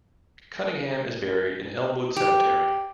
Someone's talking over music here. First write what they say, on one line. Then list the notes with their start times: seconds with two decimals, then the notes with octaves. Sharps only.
Cunningham is buried in Elmwood Cemetery.
2.16 G4